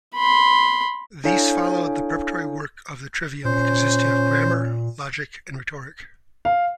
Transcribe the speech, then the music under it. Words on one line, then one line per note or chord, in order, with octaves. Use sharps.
These followed the preparatory work of the trivium, consisting of grammar, logic and rhetoric.
B5 C6
D4 E4 A4 C#5 F5 G#5
A#2 C#4 C5
F5